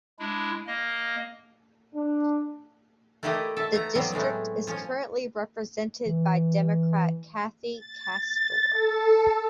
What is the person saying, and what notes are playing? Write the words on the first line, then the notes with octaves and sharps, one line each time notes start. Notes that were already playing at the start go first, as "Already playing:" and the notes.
The district is currently represented by Democrat Kathy Castor.
G#3 D4 E4
A#3 D#5
D4
A3 A#3 E4 G4 D5 D#5
A4 E5
A3 B3 A#5
F#3 G3 B3 C4
A2 F#3 G#3 A3
F3 C#4
E3
A6
A4